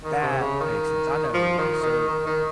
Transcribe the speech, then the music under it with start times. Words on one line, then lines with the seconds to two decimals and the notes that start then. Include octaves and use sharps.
That makes sense, I know who he is, so
0.03 D#3
0.22 C3
0.40 C#3
0.60 D#3
1.34 F3
1.58 D#3
1.82 D#3
2.08 D#3
2.26 D#3